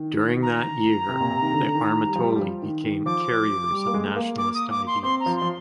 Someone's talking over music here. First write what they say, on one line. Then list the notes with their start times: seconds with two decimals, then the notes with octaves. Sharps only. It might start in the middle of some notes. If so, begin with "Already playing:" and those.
During that year the armatoloi became carriers of nationalist ideas.
Already playing: D#3
0.42 A#5
1.09 C3
1.20 A#2
1.31 C3
1.42 D#3
1.52 D3
1.75 D#3
2.07 G3
2.16 F3
2.24 G3
2.36 G3
2.40 F3
2.62 D#3
2.84 D#3
3.06 F3 D6
3.72 G3
3.87 A#3
3.94 G#3
4.05 G#3
4.16 A#3
4.38 D6
4.54 D#6
4.71 D6
4.87 C6
5.03 C4 C6
5.20 A#5
5.26 F3
5.37 C6
5.42 F3